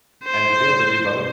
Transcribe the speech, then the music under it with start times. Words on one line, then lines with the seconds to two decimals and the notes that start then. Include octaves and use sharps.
and to be able to do both
0.24 C5